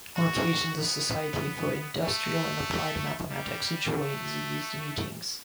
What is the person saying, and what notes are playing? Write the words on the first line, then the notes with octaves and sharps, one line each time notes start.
On occasion the Society for Industrial and Applied Mathematics joins in these meetings.
F#4
B3
A3
G3
A3